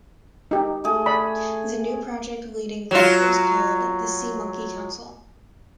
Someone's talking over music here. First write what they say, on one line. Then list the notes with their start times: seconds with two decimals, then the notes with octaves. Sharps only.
The new project-leading group is called the "SeaMonkey Council".
0.51 D#4 G4
0.84 A3 G#4
1.06 D5 B5
2.91 F#3 F4